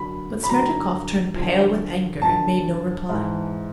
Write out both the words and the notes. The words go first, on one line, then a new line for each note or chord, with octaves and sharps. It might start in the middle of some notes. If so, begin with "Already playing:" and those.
But Smerdyakov turned pale with anger, and made no reply.
Already playing: F#2 D3 F#3 B5
B5
F#2 D3 F#3 A#5
F#2 D3 F3
F#2 D3 F3 A5
G#2 E3